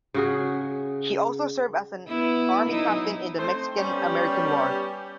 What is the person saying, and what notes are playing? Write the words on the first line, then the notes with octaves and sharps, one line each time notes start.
He also served as an army Captain in the Mexican-American War.
C#3 F#4 G#4
B3 E4
F#3 D#4 E4
A3 C4 C5
G3 B3 C#4 G4